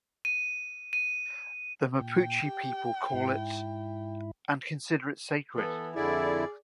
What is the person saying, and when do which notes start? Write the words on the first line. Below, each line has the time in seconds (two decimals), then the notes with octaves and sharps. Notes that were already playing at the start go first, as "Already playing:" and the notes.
The Mapuche people call it ', and consider it sacred.
0.25 D#7
0.93 D#7
2.01 A#2 G5
2.45 G4
3.13 G#2 E4
5.56 E3 B3 A4
5.95 F2 D3 E4 G#4 D5